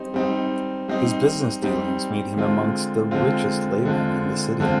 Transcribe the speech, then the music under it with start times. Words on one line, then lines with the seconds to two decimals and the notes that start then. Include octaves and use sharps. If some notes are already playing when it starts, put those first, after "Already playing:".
His business dealings made him amongst the richest laymen in the city.
Already playing: G3 C4 D#4
0.14 G3 C4 D#4
0.88 G3 C4 D#4
1.62 G3 C4 D#4
2.37 D3 G#3 C4 F4
3.11 D3 G#3 C4 F4
3.85 D3 G#3 C4 F4
4.60 D3 G#3 C4 F4